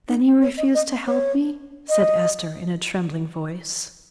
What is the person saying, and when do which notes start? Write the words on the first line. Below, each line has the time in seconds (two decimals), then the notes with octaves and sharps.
"Then you refuse to help me?" said Esther in a trembling voice.
0.08 D#4
0.42 C#5
0.57 D#5
0.74 D#5
1.07 C#5
1.89 D#5